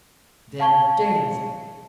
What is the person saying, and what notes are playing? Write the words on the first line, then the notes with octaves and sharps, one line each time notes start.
Then dance!
F5 A5 C#6 G#6 G7